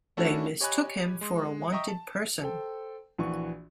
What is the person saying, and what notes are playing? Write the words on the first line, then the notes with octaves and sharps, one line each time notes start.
They mistook him for a wanted person.
A3 C#4 D4 E4 F#4 A4
G4 C#5 D#5 G#5 B5 F#6
G#3 C6
D#5 E5 G5 A#5 C#6 D#6
A5
A4 C5 G5
A#1 E3 F#4 C#6